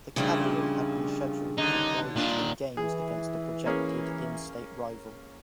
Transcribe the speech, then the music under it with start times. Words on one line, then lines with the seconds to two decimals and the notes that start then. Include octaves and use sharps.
The Cavalry had been scheduled to play two games against the projected in-state rival.
0.16 A#2 C#3 F3 G3 A3 D4 D#4 G#4
1.58 D#2 D3 D#4
2.16 A#2 D#3 D4 F4
2.77 E3 G#4
3.66 A#3 C#4 G#4